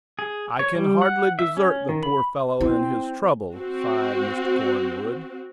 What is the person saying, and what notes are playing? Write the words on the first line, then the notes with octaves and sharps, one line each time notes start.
"I can hardly desert the poor fellow in his trouble," sighed Mr. Cornwood.
G#4
C#5
G3
F#5
E5
C#4
D#3
B5
C4 E4
C4 F#4